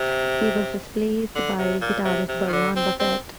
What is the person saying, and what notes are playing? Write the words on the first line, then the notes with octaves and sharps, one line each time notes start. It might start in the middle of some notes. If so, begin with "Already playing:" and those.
He was replaced by guitarist Bryan Bassett.
Already playing: C3
D3
C3
A#2
C3
C3
D#3
D3
C4
C4